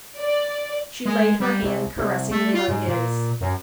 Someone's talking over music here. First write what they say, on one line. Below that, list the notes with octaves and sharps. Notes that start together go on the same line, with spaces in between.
She laid her hand caressingly on his.
D5
G#3
G3
C2
C2
A3
F4
G#2
A#2
F#2